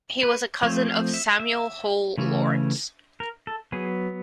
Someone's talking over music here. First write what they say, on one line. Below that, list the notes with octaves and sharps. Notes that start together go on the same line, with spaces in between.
He was the cousin of Samuel Hill Lawrence.
B4
F3 A3 C4 C#5
F5
E5
E5
C#3 E3 A3 C#4
A#4
A4
F#3 B3 G#4